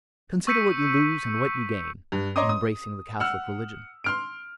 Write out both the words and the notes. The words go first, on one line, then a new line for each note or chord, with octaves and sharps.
Consider what you lose and what you gain in embracing the Catholic religion.
C#6 E6 G6 B6 C#7 D#7
G2
C#5 D#5 A#5 C6 D6 D#6
D#6
F#5 E6 F6
C6 F6 D7